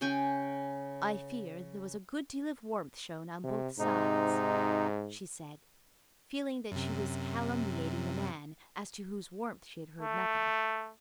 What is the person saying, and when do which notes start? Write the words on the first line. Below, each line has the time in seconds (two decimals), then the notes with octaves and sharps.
"I fear there was a good deal of warmth shown on both sides," she said, feeling that she was calumniating the man, as to whose warmth she had heard nothing.
0.01 C#3 C#4 G5 G#5
3.44 C3
3.79 G#2 C3 D#4
6.72 F#2 C3
10.01 A3